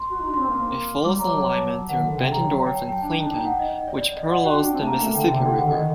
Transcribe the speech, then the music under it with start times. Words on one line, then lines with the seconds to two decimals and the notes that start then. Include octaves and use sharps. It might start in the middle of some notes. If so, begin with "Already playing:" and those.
It follows an alignment through Bettendorf and Clinton which parallels the Mississippi River.
Already playing: C6
0.10 F#4
0.20 D#4
0.29 D4
0.34 C6
0.39 C4
0.49 A#3
1.04 G3 D6
1.19 F#3 A#5
1.33 F#3 A5
1.89 D#3 F#5
2.03 D3
2.18 C3 G5
2.27 D3
2.32 F#3 A#5
2.46 F#3
2.67 G5
2.75 A5
2.89 G5
3.02 D4 A5
3.17 D#4 A5
3.26 D4
3.31 D#4 G5
3.45 F#5
3.59 D#5
3.88 D5
4.02 D5
4.16 D#5
4.30 F#5
4.44 F#4 G5
4.59 D4 A5
4.73 C4
4.80 A3
4.87 A#3 A#5
5.01 A3 A5
5.15 D3 G5
5.29 C3 G5
5.43 D3 G5
5.58 D#3 F#5
5.67 D3
5.71 D#5
5.76 D#3